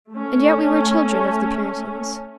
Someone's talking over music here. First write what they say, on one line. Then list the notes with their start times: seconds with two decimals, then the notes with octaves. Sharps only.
And yet we were children of the Puritans.
0.13 A3 C#4